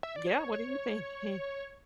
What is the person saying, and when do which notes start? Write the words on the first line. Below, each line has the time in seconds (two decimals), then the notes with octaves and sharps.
Yeah, what do you thinking?
0.03 E5
0.16 D5
0.27 C#5
0.52 C#5